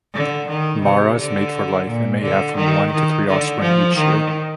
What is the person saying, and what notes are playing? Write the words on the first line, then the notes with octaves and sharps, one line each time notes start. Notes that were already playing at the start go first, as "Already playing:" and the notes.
Maras mate for life, and may have from one to three offspring each year.
D3
D#3
C3
D3
A#2
D3
D#3
D#3
D3
F3
D#3